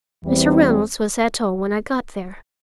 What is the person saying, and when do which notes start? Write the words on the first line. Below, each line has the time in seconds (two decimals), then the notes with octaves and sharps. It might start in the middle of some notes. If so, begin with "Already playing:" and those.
Mr. Reynolds was at home when I got there.
0.24 E2 E3 G3 C4